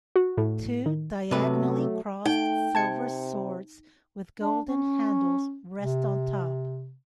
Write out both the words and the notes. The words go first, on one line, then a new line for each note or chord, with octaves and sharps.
Two diagonally-crossed silver swords with golden handles rest on top.
F#4
A2
D#3
C3 F#3 A3 B4
A3 D#4 G5
C3 A5 G#6 C#7
D4
C#4
C3